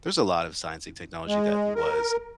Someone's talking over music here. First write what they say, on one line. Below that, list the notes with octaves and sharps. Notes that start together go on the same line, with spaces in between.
There's a lot of science and technology that was,
G#3
A#4